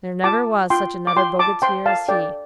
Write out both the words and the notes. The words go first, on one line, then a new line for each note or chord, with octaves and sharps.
There, never was such another bogatir as he.
F4 A5 D6
F4 G5 C6
D6
F4 G5 C6
A5 D6
C5 G5 C6
F5 A5
A4 D5 G5